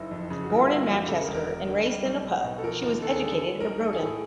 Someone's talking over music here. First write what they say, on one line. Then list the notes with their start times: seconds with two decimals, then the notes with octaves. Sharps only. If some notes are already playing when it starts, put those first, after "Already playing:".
Born in Manchester and raised in a pub, she was educated at Roedean.
Already playing: F#1 D#4 E4
0.11 F2
0.30 C#3
0.43 F#4
0.49 G1 E4
0.56 F4
0.69 G1 E4
0.82 F#4
0.89 F2
0.96 G4
1.08 C#3 A4
1.21 A#4
1.28 E1
1.34 A#4
1.47 E1 A#4
1.67 D2
1.86 G3
2.05 B1
2.24 B1
2.44 B2
2.58 A4
2.63 F3 A#4
2.83 D#2
3.02 D#2 A4
3.15 G#4
3.22 D3
3.29 A4
3.41 E3 A4
3.60 B1 A#4
3.80 B1 A4
3.93 G#4
4.00 A2
4.06 G#4